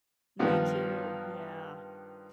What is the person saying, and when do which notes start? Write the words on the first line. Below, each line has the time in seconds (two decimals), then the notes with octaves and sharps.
Me too, yeah.
0.39 G2 D#3 F3 B3 F4